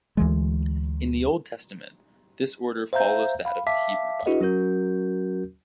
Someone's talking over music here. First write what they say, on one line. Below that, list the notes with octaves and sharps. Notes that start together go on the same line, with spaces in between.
In the Old Testament, this order follows that of the Hebrew Bible.
D2 E3 G#3
C5 E5 F5 A#5 G6
F5 B5
E5 F5 A5 D6 B6
D4 E4 F#4 G#4 B4 D#5
F#3 C#4 F#4 A#4 G6